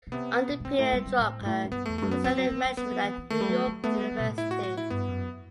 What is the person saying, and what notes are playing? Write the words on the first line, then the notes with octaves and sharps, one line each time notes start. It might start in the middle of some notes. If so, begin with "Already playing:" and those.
Under Peter Drucker he studied management at New York University.
B2
C3 B3
B2
G2
F#2 C4
A2
G3
G3
A2
G2
A2
F#2
G2 B3
A3
E2
G2 A3
F#2 B3
E3 C4
F#3
E3
G3
G3 B3
F#3
E3
E3
D#3 A3
G3
F#3
F#3
A3 B3
G3
G3
B2
A2
E4
F#4
F#4
E4
G2 B3
F#2